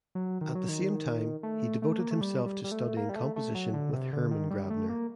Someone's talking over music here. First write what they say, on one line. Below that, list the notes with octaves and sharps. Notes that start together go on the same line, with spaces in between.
At the same time he devoted himself to studying composition with Hermann Grabner.
F#3
D#3
F#3
D#3
A3
A3
A#3
A3
G3
G3
G3
A3
A#3
G3
A3
A3
F#3
D3
C3
D3
D#3
G3
A3
A#3